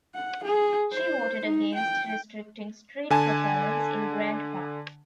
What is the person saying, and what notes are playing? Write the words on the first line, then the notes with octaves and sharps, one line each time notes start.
She voted against restricting street performers in Grant Park.
F#5
G#4
C5
D#4
G5
D3 G#5 A5